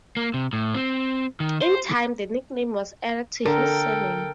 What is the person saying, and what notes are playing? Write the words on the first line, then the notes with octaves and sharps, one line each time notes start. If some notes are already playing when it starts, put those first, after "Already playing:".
In time the nickname was added to his surname.
A#3
C3
A2
C4
D#3
C5
D3 A4 A#4 G5